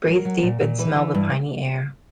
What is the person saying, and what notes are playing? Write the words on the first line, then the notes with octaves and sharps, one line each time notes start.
Breathe deep and smell the piny air.
F#3 A#4
F#3
A#2
A#2
E3 B4
E3
G2